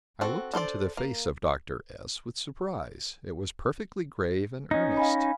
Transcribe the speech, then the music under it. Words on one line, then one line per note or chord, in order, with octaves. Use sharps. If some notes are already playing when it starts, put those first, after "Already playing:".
I looked into the face of Dr. S-- with surprise; it was perfectly grave and earnest.
C4 F#4 A4
D4 A4 C5 D5
A#3
C#4 D#4 D#5
F5 G#5 B5